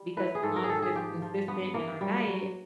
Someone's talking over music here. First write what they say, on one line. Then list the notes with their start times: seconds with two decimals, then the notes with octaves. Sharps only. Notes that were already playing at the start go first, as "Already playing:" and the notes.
because as long as it's consistent in our diet
Already playing: G3
0.17 E3 B4
0.35 G#4
0.43 G#2 A4
0.56 A#4
0.64 G#4
0.69 D#3 A4
0.82 G#4
0.95 F3 G4
1.22 F3
1.48 G2 B3
1.74 E3 A#3
2.01 F#3 G3
2.27 F#3